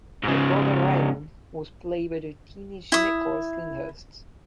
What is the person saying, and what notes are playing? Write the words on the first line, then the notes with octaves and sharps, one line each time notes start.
Her brother Raymond was played by a teenage Nicholas Lyndhurst.
G#2 C#3
E4 D#6